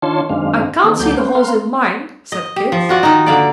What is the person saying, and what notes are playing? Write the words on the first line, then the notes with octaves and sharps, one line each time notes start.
"I can't see the holes in mine," said Kit.
D#3 D4 F4 C#5 A5 C6
F#2 D#3 G#3 C4 D4 F5
D#3 A#3 C4
D2 F#3 A#3 A4 D6 G6
C4 C#4 B4 C5
C4 A#4 B4 F5 C6
D#5
G4
F3
F4 F#4 D5
D#3 D#4
D3 A#3 D5